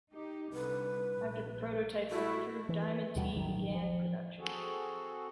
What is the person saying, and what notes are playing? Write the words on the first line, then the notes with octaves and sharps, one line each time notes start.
After the prototype was approved, Diamond T began production.
D#4 G4
C2 D3 B4
A#1
A3 E4 F#4
E3
D#2 B2 G3
A1 D#3 F#3
F3
C4 F#4 G#4 A4